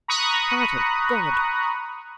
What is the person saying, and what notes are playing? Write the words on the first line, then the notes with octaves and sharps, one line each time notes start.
Heart of God!
A#5 B5 C#6 D#6 F#6